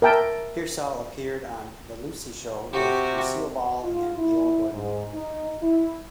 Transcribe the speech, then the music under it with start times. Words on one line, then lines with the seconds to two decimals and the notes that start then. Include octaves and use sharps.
Piersall appeared on "The Lucy Show" with Lucille Ball and Gale Gordon.
0.02 A#4 E5 G5 A5
2.73 C3 F#4 G4
3.82 F4
4.16 E4
4.71 G#2
5.14 D#4
5.61 E4